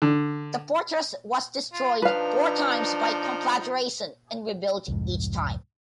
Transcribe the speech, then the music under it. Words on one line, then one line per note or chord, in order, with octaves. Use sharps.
The fortress was destroyed four times by conflagration and rebuilt each time.
D3
F4
F3 D4 D#4 B4 F5
C2 F2 G#2